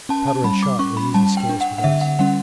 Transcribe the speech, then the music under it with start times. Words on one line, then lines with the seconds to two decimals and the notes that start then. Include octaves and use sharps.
Powder and shot were usually scarce with us.
0.09 C#4 A5
0.27 A5
0.44 G3 B5
0.63 D6
0.79 C#4 C#6
0.97 B5
1.14 G3 A5
1.37 G5
1.49 D4
1.61 F#5
1.78 F#5
1.84 D3 E5
2.01 F#5
2.19 G3 C#4 F#5